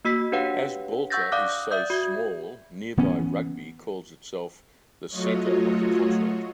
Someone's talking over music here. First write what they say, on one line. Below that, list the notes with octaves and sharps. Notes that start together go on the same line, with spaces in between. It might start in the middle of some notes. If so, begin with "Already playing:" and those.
As Balta is so small, nearby Rugby calls itself the center of the continent.
A#3 F#4 E6 B6
D4 G4 B4 C#5 F5 F#5
F#5 C#6 E6 G6 A6 A#6
D5 F5 D6 D#6 F#6
D5 E5 D#6 G6
F#4 G#6
E3 B3 C#4
F#3 A3 F4 F#4 C#5 D#5